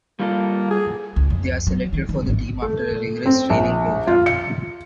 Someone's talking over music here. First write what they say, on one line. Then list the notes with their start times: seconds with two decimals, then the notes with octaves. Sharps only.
They are selected for the team after a rigorous training program.
0.20 G3 A#3 F4 A4
0.70 G#4
1.16 C#2
1.30 F2
1.67 F#3
1.93 D#3
2.09 D#3
2.26 G#1
2.62 A3
3.26 C4
3.50 A#1
4.07 F4
4.26 C#7